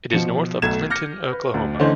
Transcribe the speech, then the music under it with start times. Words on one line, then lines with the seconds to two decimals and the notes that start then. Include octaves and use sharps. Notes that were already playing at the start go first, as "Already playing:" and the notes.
It is north of Clinton, Oklahoma.
0.11 B2 F3 C#7
0.62 B1 A3 G#6 E7
0.90 D6 F6 G6 A#6 C#7
1.32 B4
1.54 D2
1.80 D3 E3 A3 C#4 D#4 C5